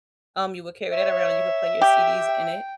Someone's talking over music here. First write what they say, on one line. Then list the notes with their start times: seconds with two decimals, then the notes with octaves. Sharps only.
um, you would carry that around and you could play your CDs in it,
0.93 C#5 E5
1.81 G4 G5